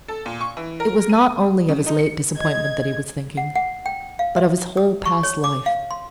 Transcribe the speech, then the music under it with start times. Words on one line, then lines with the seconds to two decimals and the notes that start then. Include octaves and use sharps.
It was not only of his late disappointment that he was thinking, but of his whole past life.
0.08 A4
0.26 A#2
0.41 C#6
0.57 E3
0.80 A#4
1.09 D#7
1.69 C#3
1.86 D#4
1.99 C#7
2.36 D#5 G#6
3.37 F#5
3.55 F#5
3.86 G5
4.19 F5
4.36 E5
4.77 D#6
5.06 C#6
5.23 C#5
5.44 D6
5.66 F5
5.91 C6